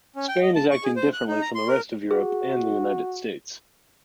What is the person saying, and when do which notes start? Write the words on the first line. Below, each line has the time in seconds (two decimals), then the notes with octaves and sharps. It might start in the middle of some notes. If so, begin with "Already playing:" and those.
Spain is acting differently from the rest of Europe and the United States.
0.16 C#4
0.28 G5
0.42 D#5
0.56 A5
0.71 C#6
0.84 G#4
0.96 C5
1.13 F#6
1.28 D#4
1.42 A#5
1.55 C6
1.68 A#4
2.11 F#4 G#4